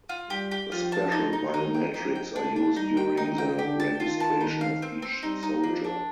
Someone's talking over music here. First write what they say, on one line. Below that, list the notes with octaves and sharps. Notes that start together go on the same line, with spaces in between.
Special biometrics are used during the registration of each soldier.
F4
G3 G4
G4
F3 F4
A5
D#4
D#4
D#3 D#4
G5
F3 D#4
G5
A3 D4
D4
G3 D#4
G5
D#3 D#4
G5
D3 G4
A5
D#3 F4
A5
D#4
F5
C4
C4
G3 D#4
D#4
F3 D4
D4